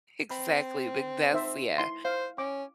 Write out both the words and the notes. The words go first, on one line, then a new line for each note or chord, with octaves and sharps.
Exactly, big that's yeah.
C4 B5
D#4 C5 E5
E4 C6
C5 F5
C#4 D6